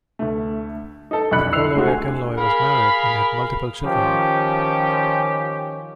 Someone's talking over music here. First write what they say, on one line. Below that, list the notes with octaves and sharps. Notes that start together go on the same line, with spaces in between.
The Oloye Akinloye was married and had multiple children.
D2 A3
D#4 A4
B1 F2 D4 B5 F#6 C#7
E4 E6 C7 F7
D3 G#3 A3 F#4
G#5
G#4 A#4 F5 B5
D#3 F3 C#4 G4